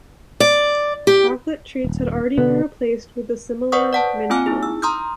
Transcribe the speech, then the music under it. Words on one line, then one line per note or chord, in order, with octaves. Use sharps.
Chocolate Treets had already been replaced with the similar Minstrels.
D5
G4
D#1
B2 D3 B3
B4 C5 D5 F#5 C#6 D#6
D5 F#5 A5
A#3 C4 F4 G#5 D6 F6
D#4 E4 G#4
E6
A#5 C6 D#6 F6 G6